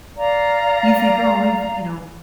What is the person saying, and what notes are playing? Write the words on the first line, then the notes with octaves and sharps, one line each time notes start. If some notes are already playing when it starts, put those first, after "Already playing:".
you think, "Oh, we've you know,
D5 F5 A#5